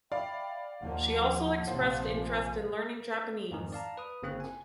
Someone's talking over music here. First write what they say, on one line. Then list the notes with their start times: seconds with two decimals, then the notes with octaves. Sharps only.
She also expressed interest in learning Japanese.
0.12 D5 E5 F5 G5 B5
0.81 D#2 F3 A#3 D#4 F#5 A5
1.67 A#1 C3 F3 C5
2.14 F4 G#5
3.51 F2 G#2 D#3
3.72 D5 F5 A5 A#5
3.97 B4 D#6
4.22 G1 C#3 A#3 C4 F#6
4.40 G#5